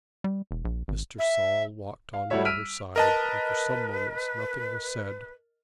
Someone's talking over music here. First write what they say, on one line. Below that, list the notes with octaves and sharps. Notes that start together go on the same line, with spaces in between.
Mr. Saul walked on by her side, and for some moments nothing was said.
G3
E1
A#1
G#1
E5
F5
G3 A3 E4 F#4 C#5 E5
E6 F6 B6 D7 D#7
A#4 B4 D#5 A5